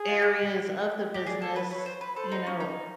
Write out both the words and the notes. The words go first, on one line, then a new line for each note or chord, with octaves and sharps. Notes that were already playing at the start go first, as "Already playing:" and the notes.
areas of the business, you know,
Already playing: G#4
F4
G4
G4
G#4 D5
A4
B4
B4 C#5
C5
B4
A4 C5
D#4
C#4
D#4